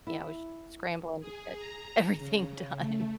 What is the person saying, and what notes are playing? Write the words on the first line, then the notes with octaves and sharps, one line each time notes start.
you know, s scrambling to get everything done.
E4
G#4
A#5
C#3
A3